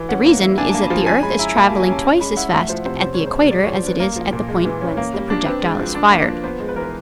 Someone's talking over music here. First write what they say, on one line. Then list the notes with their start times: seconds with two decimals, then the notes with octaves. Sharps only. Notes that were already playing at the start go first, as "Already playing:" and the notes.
The reason is that the earth is traveling twice as fast at the equator as it is at the point whence the projectile is fired.
Already playing: E3
0.09 C#4 F#5
0.25 A#3
0.41 E4
0.58 D4 G#5
0.70 A#3 A5
0.82 B5
0.90 F3 A5
1.07 C#4 G#5
1.23 G#3 B5
1.39 E4 A#5
1.56 A#3 B5
1.62 G#5
1.68 G3 A5
1.80 G#5
1.88 C#4 A5
2.04 C#4
2.21 G#3 B5
2.37 E4 F#5
2.53 A3 F#5
2.69 F3 C5
2.86 C3 C5
3.02 C#4 C5
3.14 G#3 C#5
3.26 C5
3.35 B2 A#4
3.51 G#3 D5
3.64 F3 C#5
3.75 C5
3.83 C#4 B4
4.00 A#3 A#4
4.16 F3
4.33 A#2
4.49 G#3
4.65 E3
4.81 C#4
4.97 A#3
5.14 G3
5.30 D4
5.46 C4 B4
5.62 G#3
5.79 F3
5.95 D4
6.11 A#3
6.28 F3
6.44 B3 C5
6.60 G#3
6.69 B4
6.76 E3 A#4
6.83 B4